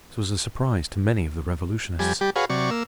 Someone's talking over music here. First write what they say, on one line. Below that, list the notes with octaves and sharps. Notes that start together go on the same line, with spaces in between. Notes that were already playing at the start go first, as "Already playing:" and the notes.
This was a surprise to many of the revolutionists.
F2 G3 G#5
G3 G4
F#4 G#4 B4 C#5 F5
C3 F#3 D5 C#6
A#3 E6